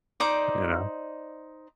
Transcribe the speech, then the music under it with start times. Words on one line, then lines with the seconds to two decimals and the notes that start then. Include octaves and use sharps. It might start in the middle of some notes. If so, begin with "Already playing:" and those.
you know?
0.20 D#4 C5 D5 D6